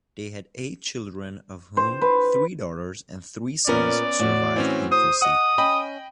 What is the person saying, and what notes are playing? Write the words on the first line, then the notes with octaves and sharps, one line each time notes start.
They had eight children of whom three daughters and three sons survived infancy.
C5
B4
A#2 B3 C#4 A#4 D5
A2 F#4
E3 C4 C#4
C5 D#6
D#5 F#5 D#6
C#4 D#5 G5 B5